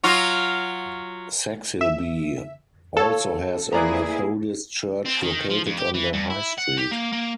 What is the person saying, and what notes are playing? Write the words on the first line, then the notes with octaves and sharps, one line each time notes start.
Saxilby also has a Methodist church located on the High Street.
F#3 F4 F#4
E5
A4 C#5 F5
A#3 E4 G#4 B4 D5 A#5
C4
D#3
F3
F2
G4
E3
G2
E4
F#5
G4
A#3
A#3